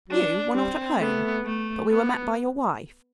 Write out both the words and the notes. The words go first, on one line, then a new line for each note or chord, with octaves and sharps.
You were not at home, but we were met by your wife.
F#3 D4
G3 C4
A3 B3
A3
B3